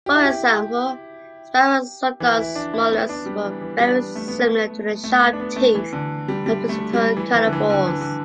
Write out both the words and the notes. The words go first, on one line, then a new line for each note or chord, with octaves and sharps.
For example, sparassodonts' molars were very similar to the sharp teeth of placental carnivores.
G4
E4
G4
E3
E4
D4
E4
B3
D4
G3
E3
E3
G3
D4
B3
A3
B3
A3
A3
B3
D4
B3
A3
E3
D3
G3
G3
A3
G3
E3
E3
D3
E3
D3
E3
D3